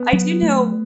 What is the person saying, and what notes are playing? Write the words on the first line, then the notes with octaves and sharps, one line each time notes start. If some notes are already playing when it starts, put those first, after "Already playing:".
I do know
Already playing: B3
F#3
A3